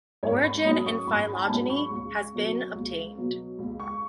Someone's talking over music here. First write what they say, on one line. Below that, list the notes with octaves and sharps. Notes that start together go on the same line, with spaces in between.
Origin and phylogeny has been obtained.
G#1 C#5
B5
G#2 F#3 C#4 D#6
C#6
G#1 B5
G#5
A5
G#2 F#3 C#4 B5
C#6
C#2
B2 F#3
C#2
B2 F#3
C#2
C#6